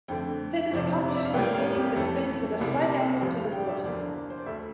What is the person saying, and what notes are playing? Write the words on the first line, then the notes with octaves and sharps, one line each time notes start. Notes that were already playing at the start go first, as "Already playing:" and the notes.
This is accomplished by beginning the spin with a slight angle to the water.
F2 D3 A3 G5
G1 F2 C3 F3
D5
E5
F5
A1 A2 G3 A#3 G5
F5
G4
F2 E3 A3 A4
C2 A#2 G3 A#3
D5
A4
A1 G2 D3 F3 A3 G4
F5
G5
D5
E5
E2 D3 F3 A#3 D5
C5
D5
D2 D3 A3 E5